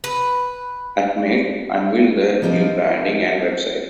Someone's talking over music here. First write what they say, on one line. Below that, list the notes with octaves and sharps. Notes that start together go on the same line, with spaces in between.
Atmail unveil their new branding and website.
B4
F3 A#3 C4 D#4 F4